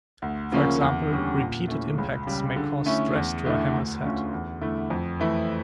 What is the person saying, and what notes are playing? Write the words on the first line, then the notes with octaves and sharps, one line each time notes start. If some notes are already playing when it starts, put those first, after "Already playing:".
For example, repeated impacts may cause stress to a hammer's head.
D2
C#3 F3 A#3 C#4
E2
D3 G3 C#4
A#2
A3 C#4 E4
C#2
C#3 G3
D3
A3 C#4 E4
E2
D3 A3 E4
D2
D3 A3 C#4 F4
E2
D3 A3 E4
F2
E3 A3 E4